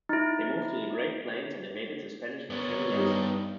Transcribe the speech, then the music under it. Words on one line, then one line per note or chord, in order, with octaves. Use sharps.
They moved to the Great Plains and evaded the Spanish for ten years.
D#4 E4
B3 D4 A#4 C#5
G2 G3 D#4